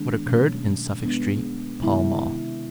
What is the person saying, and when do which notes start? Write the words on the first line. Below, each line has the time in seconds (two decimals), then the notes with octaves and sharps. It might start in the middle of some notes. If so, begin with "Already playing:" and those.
What Occurred in Suffolk Street, Pall Mall.
Already playing: D#3 G#3 B3 D4
0.26 B2 F#3 A3 C#4
1.04 G#3 B3 D4
1.81 C3 D#3 G#3 B3 E4